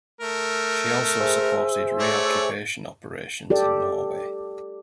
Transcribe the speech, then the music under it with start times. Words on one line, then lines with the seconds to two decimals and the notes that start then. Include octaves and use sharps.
She also supported re-occupation operations in Norway.
0.21 A3 A#4
1.20 G#4 C5 E5
2.00 A3 C#5 D5
3.50 G4 A4 D5